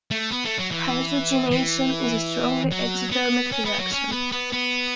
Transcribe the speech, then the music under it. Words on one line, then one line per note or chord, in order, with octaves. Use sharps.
Hydrogenation is a strongly exothermic reaction.
A3
B3
A3
F#3
E3
E3
F#3
B3
C#4
B3
F#3
C#4
B3
B3
B3